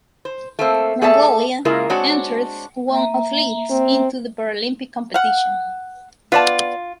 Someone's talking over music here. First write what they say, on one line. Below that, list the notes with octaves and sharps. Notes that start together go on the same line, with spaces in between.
Mongolia entered one athletes into the Paralympic competition.
C5
A3 A#3 C4
A3 G#4 A4 D5 E5 A5
C#3 G#3 A#3 E4 F4 A#4
G#3 C4 D4 F#4 C#5
A#3 E5 A#5
C4
F5 F#5
B3 F4 D5 A5